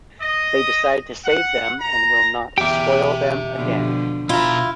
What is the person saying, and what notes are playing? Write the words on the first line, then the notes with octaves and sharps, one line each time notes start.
They decide to save them and will not spoil them again.
D#5
F#5
A#5
E2 G4 E5 G5 D6
B2 D3 F3
B2 E4 F4 A#5